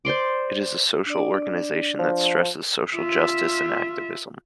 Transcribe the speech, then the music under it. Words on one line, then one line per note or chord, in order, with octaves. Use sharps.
It is a social organization that stresses social justice and activism.
C5 D5 C6 D6
D4 D5
F3
F4 E5